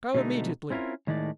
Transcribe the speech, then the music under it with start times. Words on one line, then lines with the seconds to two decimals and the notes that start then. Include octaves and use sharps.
Go immediately.
0.15 B2 D3 G#3 A3 D#4
0.70 C4 C#4 E4 F4 A#4
1.07 A2 D#3 G#3 A3 D5